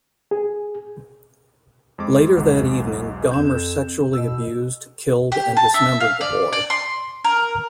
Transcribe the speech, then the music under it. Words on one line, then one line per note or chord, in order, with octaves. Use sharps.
Later that evening Dahmer sexually abused, killed, and dismembered the boy.
G#4
F2 G#3 D6
B1 E2 G#2
F2 G6 E7
B2 E6
G4
A5
E5
F5
D5
D5
C6
A#4